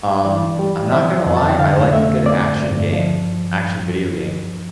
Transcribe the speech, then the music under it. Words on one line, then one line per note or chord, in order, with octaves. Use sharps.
Um, I'm not gonna lie, I like a good action game action video game.
E3 D5
G3
C4 E5
F2
A5
G5
D3 F5
A3 E5
C4 D5
G2
F3